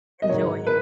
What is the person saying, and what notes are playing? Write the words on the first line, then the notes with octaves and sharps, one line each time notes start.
Enjoy it.
D#5
G#2 D#3 F#3 C#5
B4